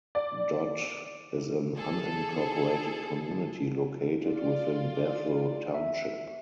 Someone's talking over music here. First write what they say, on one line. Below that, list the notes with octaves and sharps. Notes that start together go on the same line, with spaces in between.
Dott is an unincorporated community located within Bethel Township.
D5
G#4 A4
F4 D5
E5